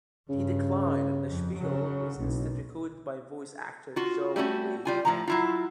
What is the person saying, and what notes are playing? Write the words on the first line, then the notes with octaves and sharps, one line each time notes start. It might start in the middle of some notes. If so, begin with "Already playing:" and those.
He declined and the spiel was instead recorded by voice actor Joe Leahy.
G2 C#3
F2
C#3 F#3
F#1 B1
F4 F#4
G3 A3 C#4 F#4
G3 F4 G#5
A2 F3 A#5
F#3 E4 F4